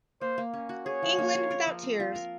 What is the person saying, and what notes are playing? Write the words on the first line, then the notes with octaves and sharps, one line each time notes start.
"England Without Tears".
A#3 C5
A#3
C#4
F#4
G#4 C#5
F3
A#3
F4
A#4
F3
C4
F4
A#4